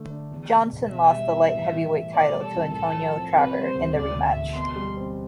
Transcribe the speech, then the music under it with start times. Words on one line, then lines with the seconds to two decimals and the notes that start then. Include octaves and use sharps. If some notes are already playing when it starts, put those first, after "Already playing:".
Johnson lost the light heavyweight title to Antonio Tarver in the rematch.
Already playing: D3 A3
0.10 D4
0.31 E2
0.51 B2
0.72 E1
0.91 B2 E5
1.12 G3
1.32 B3
1.52 A2
1.72 E3
1.93 A3
2.13 B2 D5
2.33 G3
2.43 A4
2.54 C2
2.73 A2 A4
2.93 F3
3.14 C4
3.34 C3 B4
3.54 G3
3.64 C5
3.75 D2
3.95 D2 D5
4.16 D3
4.25 E5
4.35 E1
4.55 B2 C6
4.76 G3
4.97 C4